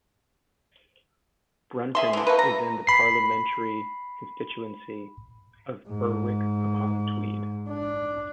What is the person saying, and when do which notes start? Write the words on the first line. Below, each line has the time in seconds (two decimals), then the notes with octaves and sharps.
Brunton is in the parliamentary constituency of Berwick-upon-Tweed.
1.95 G#4 E5 C6
2.13 D3 E3
2.27 A3 A#3 B4
2.39 A#5
2.87 B5 C7
5.88 G#2
7.68 D4